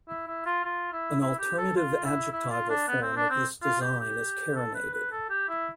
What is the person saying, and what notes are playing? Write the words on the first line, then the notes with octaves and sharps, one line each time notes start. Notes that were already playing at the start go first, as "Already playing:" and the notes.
An alternative adjectival form of this design is carinated.
E4
E4
F4
F4
E4
E4
G4
A4
F4
E4
E4
F4
D4
B3
C4
D4
C4
F4
G4
G4
A4
B4
B4
A4
G4
E4